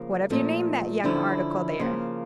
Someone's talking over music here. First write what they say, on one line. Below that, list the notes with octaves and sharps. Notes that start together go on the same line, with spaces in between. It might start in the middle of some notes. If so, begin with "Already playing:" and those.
"What have you named that young article there?"
Already playing: C#3 F3 A#3
A#2 F3 A3
D3 F3 C#4 E4
C#3 F3 A#3